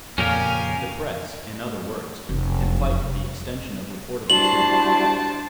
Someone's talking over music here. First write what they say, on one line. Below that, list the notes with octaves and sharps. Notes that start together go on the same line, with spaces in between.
The press, in other words, can fight for the extension of reportable truth.
F2 A#2 C#3 C#4 G4 A#4 F5 G#5
F1 F#2
G3 D4 E4 F#4 C5 A5 F#7